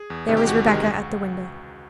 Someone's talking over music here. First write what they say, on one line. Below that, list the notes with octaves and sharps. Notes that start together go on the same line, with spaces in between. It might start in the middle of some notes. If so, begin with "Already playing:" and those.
There was Rebecca at the window.
Already playing: G#4
E2
C3 D#3 G#3
G4
E2 F#4
C3 D#3 G#3
C#2